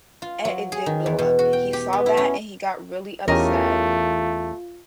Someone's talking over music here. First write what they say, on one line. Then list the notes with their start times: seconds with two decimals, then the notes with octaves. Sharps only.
and it did blow up. He saw that, and he got really upset.
0.22 F4
0.45 F#3
0.72 G#4
0.86 D#3
1.06 E2
1.19 B2
1.39 F#4
1.53 G5
1.73 G4
1.93 B3
2.06 E4
2.17 C#4
3.28 E2 A3 C#4 F4 G4 A#4 D#5